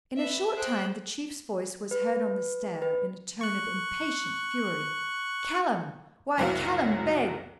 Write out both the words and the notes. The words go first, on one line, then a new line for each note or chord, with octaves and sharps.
In a short time the Chief's voice was heard on the stair in a tone of impatient fury: 'Callum! why, Callum Beg!
B4 E5
G#4 C5 G5 F#6
B4
B4
C#6 F#6
F#1 C2 F#3 F5